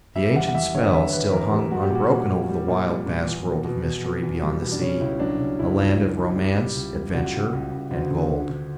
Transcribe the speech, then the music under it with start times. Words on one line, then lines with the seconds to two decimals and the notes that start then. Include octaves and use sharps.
The ancient spell still hung unbroken over the wild, vast world of mystery beyond the sea,--a land of romance, adventure, and gold.
0.16 G3 E5
0.35 E2 F#5
0.48 F#5
0.55 E2 E5
0.74 D3 C#5
0.93 E2 E5
1.13 E2 B4
1.32 E2 A#4
1.52 E2 G4
1.71 G3 F#4
1.83 G4
1.91 A#2 F#4
2.10 A#2
2.30 A#2
2.49 G3
2.68 A#2
2.88 G3
3.06 A#2
3.26 E2
3.45 B2
3.65 B2
3.85 E2
4.04 B2
4.24 E2
4.43 G3
4.62 B2
4.72 D4
4.81 C#3 C#4
5.00 C#2 E4
5.20 F#3 D4
5.39 C#2 C#4
5.59 C#2 E4
5.79 F#3
5.97 F#3
6.17 F#3
6.36 G3
6.55 G3
6.75 C#2
6.95 G3
7.14 C#2 F#4
7.34 C#2
7.53 C#2
7.72 C#2
7.91 D2
8.11 D3
8.30 D3
8.50 D3